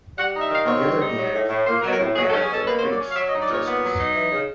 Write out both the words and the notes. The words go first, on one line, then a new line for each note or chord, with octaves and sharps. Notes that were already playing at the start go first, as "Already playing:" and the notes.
On the other hand, we haven't had an increase in justice.
G3 F#5
D#4
E5
D#3 F5
C4 C#5
G3
D#4
F#3
A2
A2
A#3 C5
A#4
F#3
A#4
A2
F#3 G#4
A4
C#4
G#4
B2 A4
A#3 B4
C5
F#3
D5
C#4
F5
F#3 E5
D#5
D#4
D5
A#2 C#5
B3
F#3
D#4
E3
C#3